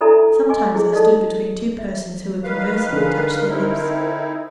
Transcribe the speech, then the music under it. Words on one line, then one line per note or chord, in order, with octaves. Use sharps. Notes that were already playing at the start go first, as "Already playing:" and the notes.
Sometimes I stood between two persons who were conversing and touched their lips.
D4 E4 A4 D5 E5 A#5
A4
D#5 G#5 C#6 D6
E4 G#4
D#4 A4 D5 D#5
E5
D#3 A#4 B4 F5
D3 G#4
C4 D#4 E4